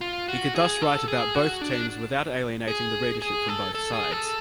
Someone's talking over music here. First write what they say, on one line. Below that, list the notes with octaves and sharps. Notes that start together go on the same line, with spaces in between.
He could thus write about both teams without alienating the readership from both sides.
F4
F#4
G#4
A4
G#4
F#4
D4
G#4
G#4
A4
A4
G#4
A4